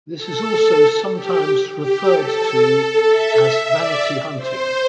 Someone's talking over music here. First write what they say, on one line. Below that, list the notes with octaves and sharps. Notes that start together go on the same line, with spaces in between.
This is also sometimes referred to as vanity hunting.
A4
G4
G4
A4
A4
E5
D5
C5